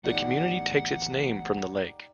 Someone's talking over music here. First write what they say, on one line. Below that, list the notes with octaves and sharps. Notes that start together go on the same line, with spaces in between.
The community takes its name from the lake.
D1 A1 B3 D#4 G4 D5 F#5